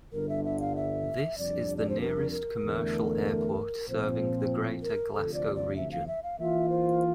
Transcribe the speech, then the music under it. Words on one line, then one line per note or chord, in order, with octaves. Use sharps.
This is the nearest commercial airport serving the Greater Glasgow region.
G1 G2 D3 A#4
E5
E5
F5
E5
F2 C3 G3 D4 D5
D5
C5
A#4
A#4
E2 D3 A3
A#2 F3 C4 C5
A#4
D2 C3 F3 A4
D5
D5
E5
F5
E5
F5
E3 A#3 F4 E5
C5